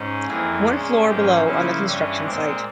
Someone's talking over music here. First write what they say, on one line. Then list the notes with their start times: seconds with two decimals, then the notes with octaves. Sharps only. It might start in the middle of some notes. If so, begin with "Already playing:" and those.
One floor below on the construction site.
Already playing: G#2 C#4
0.25 F2 E3 A#3 G#4
0.65 A#2 G#3 C#4
1.04 G#2 F3 A#3 C#4 G4
1.43 C#3 F3 A#3 C#4 E4
1.84 G2 E3 G3 C#4
2.23 A#2 G#3 C4